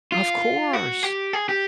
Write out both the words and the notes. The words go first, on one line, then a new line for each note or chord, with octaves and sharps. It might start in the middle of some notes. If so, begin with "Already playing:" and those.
Of course.
F4
F#4
G4
G#4
G4